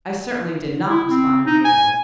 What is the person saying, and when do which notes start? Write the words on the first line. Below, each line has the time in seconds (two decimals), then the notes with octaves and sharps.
"I certainly did not," responded Mabel.
0.89 E4
1.09 C4
1.46 D#4
1.65 G#5